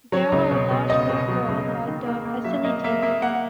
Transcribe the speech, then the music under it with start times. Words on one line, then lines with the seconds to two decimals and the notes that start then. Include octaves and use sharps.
There are a large number of outdoor facilities.
0.12 F#3 C#5
0.32 C#2
0.51 B2
0.70 B2
0.90 C#2 D#5
1.09 B2
1.28 F#3
1.49 C#2
1.67 A#3
1.87 D#3
2.06 A#3
2.25 A#3
2.44 F#3 E5
2.64 A#3 D#5
2.84 A#3 E5
3.02 A#3 E5
3.22 A#3 F#5